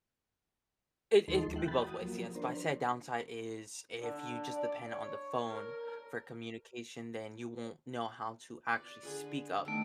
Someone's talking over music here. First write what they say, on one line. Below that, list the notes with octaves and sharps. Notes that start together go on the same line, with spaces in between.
It it can be both ways, yes, but I'd say a downside is if you just depend on the phone for communication, then you won't know how to actually speak up
D#2 F3 G#3 D#4 A4 C6
E5 G5 F#6
E3 G5 B5 A6
F#4 D#6
F3 F#3 A#3
D4 A#4 C5
D3
D5
C#5
A#4
B4 D5
D3 G#4 B4
D#3 A3 B3 D4 E6